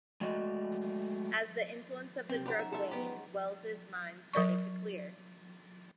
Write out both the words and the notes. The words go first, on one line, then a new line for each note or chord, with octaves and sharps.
As the influence of the drug waned, Wells' mind started to clear.
G#3 A3 F#4 D5 D#5
C3 C4
C#4 D#4 F#4 G4 B4 C5
E5
G#3 A4 E5 A#5
B3 G4
F#3 A#4 D5 C#6